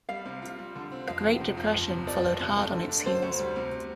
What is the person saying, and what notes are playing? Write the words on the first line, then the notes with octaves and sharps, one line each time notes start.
The Great Depression followed hard on its heels.
G3 F5
C3
F4
G3
D3
C4
F2 F5
F1
C3
F2
G1
C3
F2 D5
G1
C3
A3
D3
D4
D3 C5
D2
G3
C3